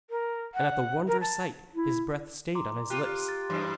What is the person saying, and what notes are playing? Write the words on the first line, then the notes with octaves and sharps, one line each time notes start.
And at the wondrous sight his breath stayed on his lips.
A#4
F#5
A#4
A5
E4
A#5 C6 D6
F4 G4 F#6
A6
F#2 E3 C6